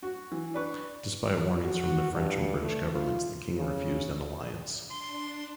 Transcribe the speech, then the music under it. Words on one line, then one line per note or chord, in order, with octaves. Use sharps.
Despite warnings from the French and British governments, the king refused an alliance.
F#4
E3
D4 B4 C#6
F#4
G2
A3
F4
C#3
D4 C6